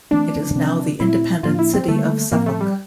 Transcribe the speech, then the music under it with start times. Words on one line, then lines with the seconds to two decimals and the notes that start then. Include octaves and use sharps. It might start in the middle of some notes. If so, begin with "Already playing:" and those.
It is now the independent city of Suffolk.
0.11 E3 A3 C4 D4
0.56 C3 F3 C4
1.00 A#2 A3 C4 E4
1.43 A2 F3 A#3 D4 F4
1.59 E4
1.74 C4
1.88 D3 G3 A3 A#3
2.32 A2 F3 A#3 C4
2.46 A3
2.61 G3